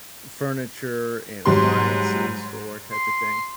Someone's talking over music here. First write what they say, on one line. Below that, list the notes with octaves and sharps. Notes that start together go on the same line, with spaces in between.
furniture and appliances or type of thing,
G#2 F#3 G3 C6
C6